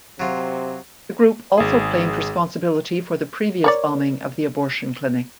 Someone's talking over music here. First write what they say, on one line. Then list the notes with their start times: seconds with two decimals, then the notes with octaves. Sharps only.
The group also claimed responsibility for the previous bombing of the abortion clinic.
0.20 C3 F#3 F4
1.58 G#1 G#4
3.64 A#4 C#5 D5